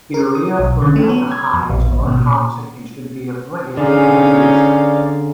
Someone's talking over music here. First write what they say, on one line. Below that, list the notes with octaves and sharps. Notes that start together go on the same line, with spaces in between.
Urea-formaldehyde is more toxic and should be avoided in home use.
A#4
D#6
B1
D3
A3
B3
G#6
F2
A#1
G#1
B2
A#2
D3 C#4 D#4 G#4 D5 F5